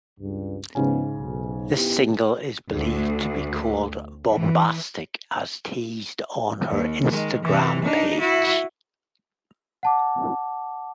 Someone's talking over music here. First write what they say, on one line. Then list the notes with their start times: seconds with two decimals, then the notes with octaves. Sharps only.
This single is believed to be called "Bombastic" as teased on her Instagram page.
0.19 C#2 G2
0.75 G#2 C#3 F3 G#3 B3 C#4
1.16 B1
1.74 B3 E4 G4
2.74 D2
4.30 E3
6.68 D#2
7.11 D#3 G#3
7.42 C3 E3
7.84 D4 D#4
8.20 E4 F#4
9.83 F#5 A5 D6